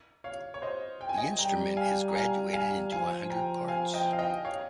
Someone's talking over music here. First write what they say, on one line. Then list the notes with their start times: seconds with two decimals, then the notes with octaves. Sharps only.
The instrument is graduated into a hundred parts.
0.24 C#5 F5
0.54 C#5
0.62 C5 D#5
1.01 G5
1.09 G#5
1.18 D#5 G5
1.39 G3 G5 A#5
1.77 F5 G#5
2.09 A#5
2.15 F5 G#5
2.53 F5 G#5
2.92 F3 F5 G#5
3.30 G5 A#5
3.68 F5 G#5
3.94 D#5 G5
4.13 F5
4.19 D#5 G5
4.45 C#5 F5